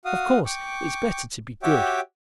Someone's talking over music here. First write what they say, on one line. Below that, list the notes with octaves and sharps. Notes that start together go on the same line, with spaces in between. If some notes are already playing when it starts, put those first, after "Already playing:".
Of course it's better to be good.
F#4 F5 D#6
G5 C#6 D6
F#4 G4 C#5 E5 G5 D6